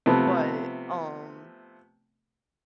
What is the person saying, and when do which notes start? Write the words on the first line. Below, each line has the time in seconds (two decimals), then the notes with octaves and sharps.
but, um,
0.06 C3 F3 A3 B3